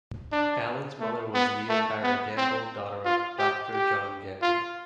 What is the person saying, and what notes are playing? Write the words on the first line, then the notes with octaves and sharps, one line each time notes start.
Allan's mother was Leah Tyrer Gamble, daughter of Doctor John Gamble.
D4
A3
B3
A3
B3
C4
F4
G4
G4
F4